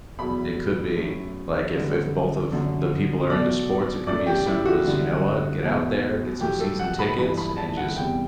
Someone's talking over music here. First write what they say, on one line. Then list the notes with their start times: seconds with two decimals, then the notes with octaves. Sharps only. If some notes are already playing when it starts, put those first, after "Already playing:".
it could be, like if if both of the people are into sports, it could be as simple as, "You know what, get out there, get some season tickets and just
0.18 E2 B2 F#3 B5
0.96 F#2 F#3 A3
1.74 F#2 D3 G3
2.52 F#2 D3 A3
3.29 B2 F#3 A3 D5
4.07 F#2 F#3 A3 D5
4.26 G4
4.46 E4
4.65 F#4
4.85 F#2 D3 G3
5.62 E2 B2 A3
6.40 A2 F#3 A3 G4
6.60 A4
6.79 F#5
6.99 B5
7.18 G2 E3 G3 B5
7.38 B5
7.57 A5
7.77 F#5
7.96 E2 C3 G3 G5